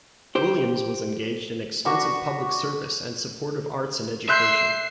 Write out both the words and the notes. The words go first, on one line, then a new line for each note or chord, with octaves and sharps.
Williams was engaged in extensive public service and support of arts and education.
G4 C5
D4 F#4 B4 C#6
E5 C6 F#6 G6 C7